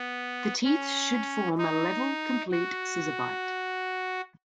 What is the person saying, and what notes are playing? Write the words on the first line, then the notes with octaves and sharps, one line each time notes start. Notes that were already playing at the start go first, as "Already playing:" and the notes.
The teeth should form a level, complete scissor bite.
Already playing: B3
C#4
D#4
F#4